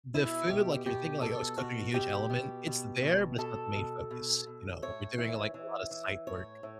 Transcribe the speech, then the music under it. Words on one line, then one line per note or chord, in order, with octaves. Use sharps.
The food, like you're thinking like, "Oh, is cooking a huge element?" It's there, but it's not the main focus, you know, we're doing, like, a lot of site work,
B2 E4
B2 G4
B2 G4
B2 A4
B2 F#4
B2 G4
B2
B2
B2
B2 A4
B2
B2
B2
A2 C#5
E3
E3
E3
A2 C#5
A2